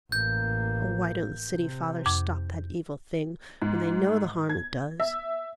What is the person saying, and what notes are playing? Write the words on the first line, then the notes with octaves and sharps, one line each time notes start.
Oh, why don't the city fathers stop that evil thing, when they know the harm it does?
A1 A#3 G6
C3
F2 D6
G#2
G#6
E5